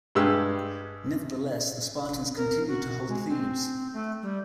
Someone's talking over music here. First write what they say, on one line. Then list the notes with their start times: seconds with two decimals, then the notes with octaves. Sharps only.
Nevertheless, the Spartans continued to hold Thebes.
0.15 G2 G#3 G4 E6
2.36 A#4
2.68 F#4
3.08 G#3
3.28 C4
3.93 A3
4.22 G3